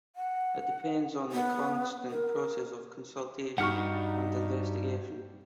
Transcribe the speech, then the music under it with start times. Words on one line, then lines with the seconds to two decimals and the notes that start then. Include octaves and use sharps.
It depends on a constant process of consultation and investigation.
0.16 F#5
1.32 B3
2.10 A#4
3.58 G2 D#4 F#4 G4 F#5 C#6 F6 C#7